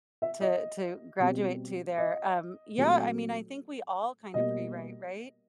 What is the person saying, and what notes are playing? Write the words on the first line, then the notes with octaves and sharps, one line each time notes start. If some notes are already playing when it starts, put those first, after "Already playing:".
to to graduate to there. Um, yeah, I mean, I think we all kinda prewrite, right?
E5
D#5
B2 G3 C4
D#5
A#2 F#3 A3 C4
B2 G3 A#3 D#5